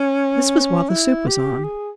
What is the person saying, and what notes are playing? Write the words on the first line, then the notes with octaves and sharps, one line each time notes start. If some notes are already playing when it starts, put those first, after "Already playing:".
This was while the soup was on.
Already playing: C#4
E4
G4
G#4